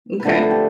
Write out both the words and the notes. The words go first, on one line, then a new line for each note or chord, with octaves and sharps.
n okay.
B4
D3 F3 A3 C5
B4
A4
G4